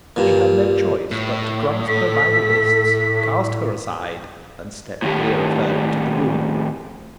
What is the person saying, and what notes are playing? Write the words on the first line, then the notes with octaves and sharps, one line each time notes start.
He had no choice but to grasp her by the wrists, cast her aside, and step clear of her into the room.
G2 A#2
A2
A4 B6
A2 D#3 G4